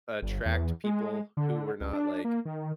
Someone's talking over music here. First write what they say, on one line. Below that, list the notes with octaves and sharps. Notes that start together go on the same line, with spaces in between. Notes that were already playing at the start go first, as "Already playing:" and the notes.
attract people who were not, like,
G1
E2
G#3
D3
C#2
D4
A#3
D#3